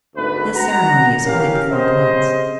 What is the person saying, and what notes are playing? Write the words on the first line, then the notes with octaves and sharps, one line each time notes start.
This ceremony is only performed once.
G#1 D2 B4
F#4 F#5 A#5
A1 C#4 G4 A#4 F5
C#3 C4 G4 C5 D#5